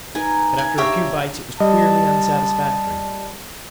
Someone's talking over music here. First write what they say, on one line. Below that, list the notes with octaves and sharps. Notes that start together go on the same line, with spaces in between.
But after a few bites, it was queerly unsatisfactory.
D#4 A#4 B4 G#5
G#5
D4 G4 C#5 E5 F5 A#5
G3 D#5 A5